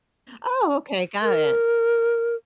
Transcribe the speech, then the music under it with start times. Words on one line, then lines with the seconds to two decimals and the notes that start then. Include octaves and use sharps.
Oh, okay, got it.
1.23 A#4